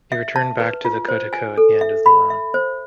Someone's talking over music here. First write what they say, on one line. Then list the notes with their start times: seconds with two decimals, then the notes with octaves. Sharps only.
He returned back to Kotoko at the end of the loan.
0.12 E5
0.36 A5
0.60 B4
0.85 F4
1.09 C5
1.33 G#5
1.58 A4
1.81 E5
2.06 B5
2.30 E5
2.54 C5